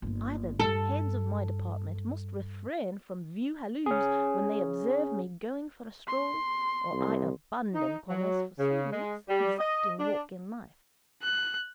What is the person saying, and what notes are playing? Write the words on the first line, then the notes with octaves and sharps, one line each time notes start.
Either the heads of my department must refrain from View Halloos when they observe me going for a stroll, or I abandon Commerce for some less exacting walk in life.'
G1 A#3
G2 A4
C#4 G#4
C6
C2
D#4
F#3
C#3
G#3
G3
D#5
D4
F#6